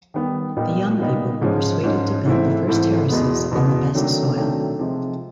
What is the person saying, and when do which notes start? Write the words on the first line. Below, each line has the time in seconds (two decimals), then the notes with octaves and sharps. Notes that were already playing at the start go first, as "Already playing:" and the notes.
The young people were persuaded to build the first terraces on the best soil.
0.14 D#3 G3 B3
0.57 A#2 G3 B3 D#4
0.99 A#2 G3 B3 D#4
1.41 G#2 F3 G#3 C#4
1.83 G#2 F3 G#3 C#4
2.25 G#2 E3 A3 C4 E4
2.67 G#2 E3 A3 C4 E4
3.09 E2 B2 G#3 B3
3.51 E2 B2 G#3 B3
3.94 C3 D#3 F#3 A3 D4
4.36 C3 D#3 F#3 A3 D4
4.79 C3 F3 G#3